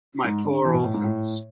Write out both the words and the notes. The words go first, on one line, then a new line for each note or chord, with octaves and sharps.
My poor Orphans.
G#2
D3
E3
B2
A2
G#2
A2